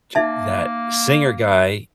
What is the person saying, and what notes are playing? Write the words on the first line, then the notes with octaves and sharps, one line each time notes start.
t that singer guy,
A#3 D#4 E5 A5